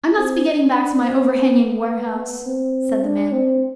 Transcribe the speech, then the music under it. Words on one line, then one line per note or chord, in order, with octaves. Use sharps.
"I must be getting back to my overhanging warehouse," said the man.
C4
D4
C4
B3
B3
C4
D4
C4